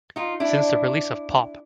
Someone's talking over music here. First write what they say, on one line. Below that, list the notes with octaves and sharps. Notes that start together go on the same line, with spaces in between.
Since the release of Pop!
D#4 F4
D4 E4